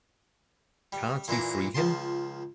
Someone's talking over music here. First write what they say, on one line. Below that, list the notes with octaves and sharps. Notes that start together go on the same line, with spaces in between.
Can't you free him?
G3
A#2 E3 D4 A#5
C#2 F3 A5 C6